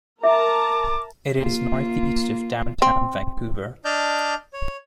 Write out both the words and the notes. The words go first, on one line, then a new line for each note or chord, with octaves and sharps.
It is northeast of downtown Vancouver.
A#4 E5 A5 A#5 D6
A#3 F4
C4
D4 D5 D#5 A5 F6 G6
C#5